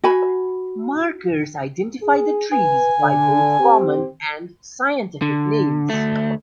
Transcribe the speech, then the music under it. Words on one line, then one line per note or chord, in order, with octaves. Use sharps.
Markers identify the trees by both common and scientific names.
F#4 G#5 B5
G#4
B4 G#5
D3
C4 G4
D3
D2 A3